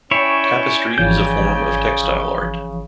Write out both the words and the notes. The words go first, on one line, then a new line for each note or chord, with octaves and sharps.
Tapestry is a form of textile art.
C#4 E4 C#5 D5 G5 G#5
G#1 C#3 E3 F3 G6